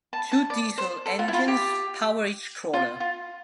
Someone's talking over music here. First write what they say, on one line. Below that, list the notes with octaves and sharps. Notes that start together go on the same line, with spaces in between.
Two diesel engines power each crawler.
A5
A5
D5
C5
A4
F4
E4
F4
G4
F4
F4